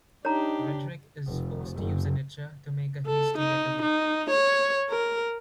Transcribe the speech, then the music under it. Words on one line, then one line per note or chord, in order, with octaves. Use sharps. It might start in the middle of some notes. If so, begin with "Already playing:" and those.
Redrick is forced to use an "itcher" to make a hasty getaway.
D4 D#4 G4 C#5 A#5
F1
F#1
A4
D#4
D#4
C#5
A#4